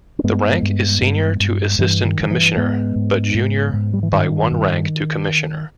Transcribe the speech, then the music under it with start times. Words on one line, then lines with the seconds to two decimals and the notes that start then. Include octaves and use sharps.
The rank is senior to Assistant Commissioner, but junior by one rank to Commissioner.
0.19 C#4
0.24 G2 G#3 B3
0.62 G2
1.02 G2
1.40 G2
1.79 G2 E3
2.04 D#3
2.18 G2
2.23 D#3
2.31 E3
2.57 G#2 G#3 B3
2.96 G#2
3.34 G#2
3.73 G#2
3.93 G3
4.03 E3
4.12 G2 D#3
4.51 G2